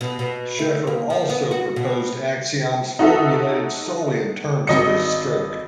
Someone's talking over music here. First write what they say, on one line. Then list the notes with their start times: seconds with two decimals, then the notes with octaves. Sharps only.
Sheffer also proposed axioms formulated solely in terms of his stroke.
0.01 B2
0.19 B2
0.59 A3
0.87 A#3
1.10 F3
1.30 B3
1.51 F#4
1.76 B2
2.99 D#4 F#4 A4 E5
4.67 G#1 D#5 C#7